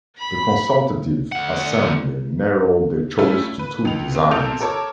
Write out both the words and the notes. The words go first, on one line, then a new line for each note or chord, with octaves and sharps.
The Consultative Assembly narrowed their choice to two designs.
B5
D2 F#5
G3 A3 C#4 E4 F4
B4
C#2 F7
B3 C4
A#2 A#3 C4 A4 G6 F7
A4 A#4 C#5 A5 D6